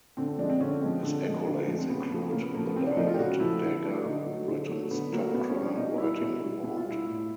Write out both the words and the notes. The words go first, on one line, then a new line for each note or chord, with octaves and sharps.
His accolades include the Diamond Dagger, Britain's top crime-writing award.
D3 C4
C4
F3 G#3 D4
C4
D3 C#4
F3 G#3 C4
D3
F3 G#3
D3
F3 G#3
C4
C#3 B3
F3 A3
C#3 A#3
B3
F3 A3 A#3
B3
C#3 C4
D4
F3 A3 D#4
F4
G4
C#3 F#4
F3 A3 E4
D3
F#3 A3
D3 D#4
F#3 A3
D3
F#3 A3
D3 B3
F#3 A3 A#3
B2 B3
C#4
G3
D4
B2 D#4
G3 E4
B2
G3
B2 E4
F4
G3
E4
A2